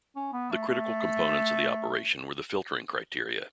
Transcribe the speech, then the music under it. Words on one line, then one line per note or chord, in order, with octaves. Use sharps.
The critical components of the operation were the filtering criteria.
C#4
B3
A3
A3